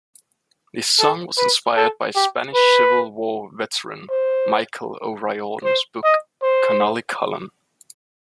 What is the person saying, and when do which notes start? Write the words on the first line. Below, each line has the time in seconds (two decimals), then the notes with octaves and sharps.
The song was inspired by Spanish Civil War veteran Michael O'Riordan's book Connolly Column.
0.99 A4
1.38 B4
1.76 A4
2.15 G4
2.55 B4
4.10 C5
5.64 C5
6.04 D#5
6.43 C5